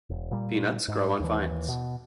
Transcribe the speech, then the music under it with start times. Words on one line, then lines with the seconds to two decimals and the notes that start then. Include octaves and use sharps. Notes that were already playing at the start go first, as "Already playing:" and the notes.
Peanuts grow on vines.
0.10 E1
0.31 A#2 G3
0.88 G#2
1.20 D#2 E3
1.68 B2